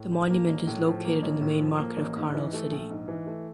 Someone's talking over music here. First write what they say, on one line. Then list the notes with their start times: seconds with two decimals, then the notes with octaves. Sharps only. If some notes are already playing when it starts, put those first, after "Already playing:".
The monument is located in the main market of Karnal City.
Already playing: A2
0.12 F3
0.30 A#3
0.49 A1
0.67 A2
0.85 F3
1.04 A#3
1.22 A1
1.41 A2
1.60 F3
1.78 A#3
1.96 A1
2.16 G#2
2.34 E3
2.53 A3
2.71 A#1
2.90 G#2
3.08 E3
3.26 A3